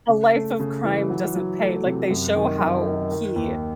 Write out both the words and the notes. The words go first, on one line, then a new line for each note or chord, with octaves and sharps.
a life of crime doesn't pay. Like, they show how he
C#3
A3
C#3
E3
F#3
F#3
A3
C3
F#2
D#3
F#2
D#3
D#3
D#2